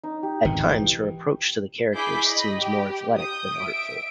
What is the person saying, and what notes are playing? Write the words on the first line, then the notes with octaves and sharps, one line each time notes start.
At times her approach to the character seems more athletic than artful.
D#4
G4
G#1 B2 D3
E3
E4 G#4 D6 G6 B6
D#5 B5
G4
D#6 G6
E5 D7